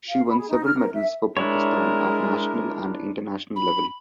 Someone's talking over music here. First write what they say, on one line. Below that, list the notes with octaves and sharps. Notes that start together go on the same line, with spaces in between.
She won several medals for Pakistan at national and international level.
F5
B5
G#4
D#4
F6
A#4
E5
G#3 D4 E4 A#4 C#5
B5